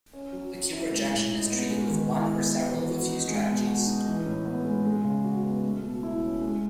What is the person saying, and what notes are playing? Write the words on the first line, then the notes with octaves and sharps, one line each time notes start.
Acute rejection is treated with one or several of a few strategies.
C#4
F#3
F#3
E4
G#3
A2
D#4
B3
G#3
D#3
E4
B3
B3
E3
F#4
D#4
G#3
B2
F#4
D#4
E3
A2
B3
G#3
G#3
C#3
F#4
B3
A3
B2
E4
C#4
G#3